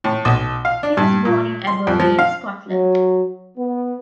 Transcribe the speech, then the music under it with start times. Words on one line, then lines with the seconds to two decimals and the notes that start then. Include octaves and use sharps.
He was born in Aberdeen, Scotland.
0.04 A2
0.25 B1
0.65 F5
0.83 D4
0.97 G2
1.25 A#2
1.67 C6
1.87 F2
2.00 F3
2.19 F5
2.68 F#3
3.58 B3